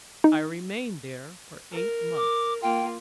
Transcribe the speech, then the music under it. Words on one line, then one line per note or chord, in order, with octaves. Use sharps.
I remained there for eight months.
D#4
A#4
D6
A#3 F4 G5